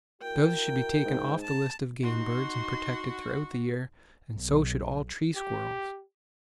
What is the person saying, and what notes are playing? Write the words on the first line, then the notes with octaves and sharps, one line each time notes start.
Doves should be taken off the list of game birds, and protected throughout the year; and so should all tree squirrels.
E4 F#4 A#4 G5
G#2
A5
D#4 F#4 C6
B1
G4